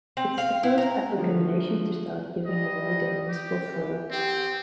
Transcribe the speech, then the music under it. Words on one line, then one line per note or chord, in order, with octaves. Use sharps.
It is the first African nation to start giving away domains for free.
C4
F5
E4
A#5
D3 F3 F#3 A3
G3 D#5
G4
E3
C4 G4